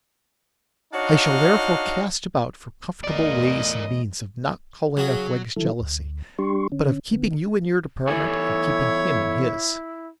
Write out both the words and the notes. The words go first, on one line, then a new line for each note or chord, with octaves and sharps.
I shall therefore cast about for comfortable ways and means of not calling up Wegg's jealousy, but of keeping you in your department, and keeping him in his.'
D4 D#4 F#4 C#5 D#5 F5
E2 A2 A#4 D5 D#5
C#3 F#3 F#4 G#4
D3 D#3 F3 F#3 E4 A4
D2
G3 D4 G4 C6 C#6
D3 C#4
D3 B3
E2 E4 A4 C#5 G#5